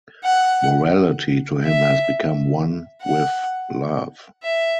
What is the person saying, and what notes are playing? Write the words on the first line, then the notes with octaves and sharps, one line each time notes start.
Morality to him has become one with love.
F#5
E5
F#5
E5